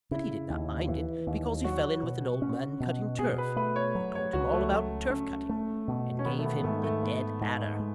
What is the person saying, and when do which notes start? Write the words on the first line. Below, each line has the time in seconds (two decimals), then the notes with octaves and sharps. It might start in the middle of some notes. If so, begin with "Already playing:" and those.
But he did not mind it, because he fell in with an old man cutting turf, who told him all about turf-cutting, and gave him a dead adder.
0.11 C#3 E4
0.50 D#2
0.88 E3
1.27 D#2
1.64 F#3 F#4
2.03 B2
2.42 C#4
2.80 B2
3.18 B2 G#4
3.38 B4
3.56 A3 B4
3.76 C#5
3.95 F#3
4.15 C#5
4.33 C#2 F#4
4.53 A3
4.72 F#3
5.10 C#4
5.49 A3
5.88 B2
6.19 C#4
6.25 D#3 B3
6.39 A3
6.45 B3
6.64 G#2 A3
6.84 A3
7.03 A3 B3
7.41 G#2
7.80 G#3